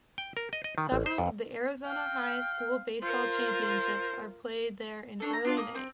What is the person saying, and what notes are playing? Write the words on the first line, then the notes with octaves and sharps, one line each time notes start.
Several of the Arizona high school baseball championships are played there in early May.
G5
A#4
D#5
D#5
D#3
A1
C5
F2
F5 G5
F4 A#4 C5
C#4 D4 A4
A#5
D4 F4
A#3 D#6
C4